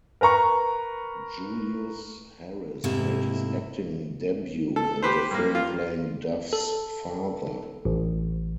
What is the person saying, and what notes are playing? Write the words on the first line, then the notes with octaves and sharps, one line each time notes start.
Julius Harris made his acting debut in the film playing Duff's father.
A#4 B4 A#5 C#6
G#2 C3 A3 A#3 E4
A4
G4 B4 C5
G2 A#3
F4
A4
A1